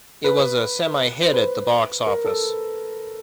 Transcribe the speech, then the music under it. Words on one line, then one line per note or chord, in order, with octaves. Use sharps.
It was a 'Semi-Hit' at the box office.
B4
C5
B4
A#4
A4